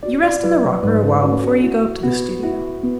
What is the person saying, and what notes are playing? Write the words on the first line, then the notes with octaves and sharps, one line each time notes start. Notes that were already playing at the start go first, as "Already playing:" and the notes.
You rest in the rocker awhile before you go up to the studio.
F#4 D5
D5
F#3 B4
G#2 B4
A4
C#4 F#4
F#4
E4 F#4
B3 F#4
E4 F#4
B3